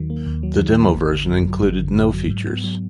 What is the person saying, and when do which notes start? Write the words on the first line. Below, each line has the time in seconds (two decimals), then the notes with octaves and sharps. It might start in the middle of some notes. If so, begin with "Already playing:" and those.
The demo version included no features.
Already playing: D#2 D#3 F#3
0.10 A#3
0.26 D#2
0.43 F#3
0.60 D#3
0.78 A#3
0.94 G#1
1.11 D3
1.28 F#2
1.45 F#3
1.62 G#1
1.79 D3
1.97 F#2
2.13 F#3
2.30 G#2
2.47 B3
2.64 F#3